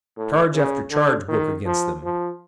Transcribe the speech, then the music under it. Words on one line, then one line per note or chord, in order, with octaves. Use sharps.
Charge after charge broke against them.
A2
C#3
D3
D#3
F3
F3